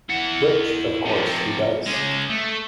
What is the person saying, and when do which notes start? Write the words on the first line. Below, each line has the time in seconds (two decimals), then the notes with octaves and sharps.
Which, of course, he does.
0.09 E4 F#5
1.05 C3 F3
1.86 G#3 C#4
2.30 A3